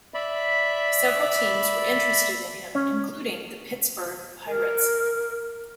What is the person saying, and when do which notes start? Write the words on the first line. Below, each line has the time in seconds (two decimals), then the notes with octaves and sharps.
Several teams were interested in him, including the Pittsburgh Pirates.
0.14 D5 E5 B5
2.75 C#4
4.47 A#4